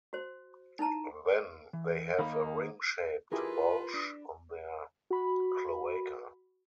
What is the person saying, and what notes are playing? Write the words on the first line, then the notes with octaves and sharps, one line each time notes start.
Then they have a ring-shaped bulge on their cloaca.
F#4 C5
D#4 E4 A5 A#5
E3
D#3 A#3 D#4 F5 B5
E4 F4 G4 G#4 A#4 B4
D4
F#4 B5